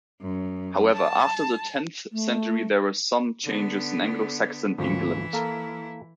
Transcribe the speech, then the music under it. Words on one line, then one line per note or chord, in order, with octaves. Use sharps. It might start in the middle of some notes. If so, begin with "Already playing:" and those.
However, after the tenth century there were some changes in Anglo-Saxon England.
F#2
A5
A3
D3 B3
G#1 D2 E3 F3 E4
A#3 A4 A#4